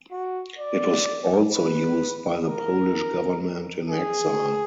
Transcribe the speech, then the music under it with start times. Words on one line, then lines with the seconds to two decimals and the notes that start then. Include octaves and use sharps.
It was also used by the Polish Government in Exile.
0.11 F#4
0.59 D5
1.54 B4
2.47 A#4
3.89 G#4